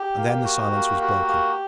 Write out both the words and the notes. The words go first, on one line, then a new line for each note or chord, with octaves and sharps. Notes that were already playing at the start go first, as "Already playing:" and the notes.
And then the silence was broken.
Already playing: G4
A#3
F#4
A#3
F#4
A#3